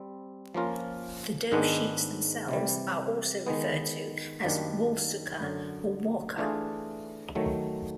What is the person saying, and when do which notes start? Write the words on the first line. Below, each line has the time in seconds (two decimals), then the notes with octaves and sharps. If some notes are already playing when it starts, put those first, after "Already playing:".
The dough sheets themselves, are also referred to as walsouka or warka.
Already playing: G3 C4
0.54 F3 A#3 C#4 F4 A#4
1.52 G#2 D#3 G#3 B3 D4
2.48 C3 E3 G3
3.47 D#3 G#3 B3
4.43 F#2 D#3 G3 A#3 D4
5.40 F#2 D3 F#3
6.38 E3 A3 D4 F4 G#4
7.35 D#3 F#3 A3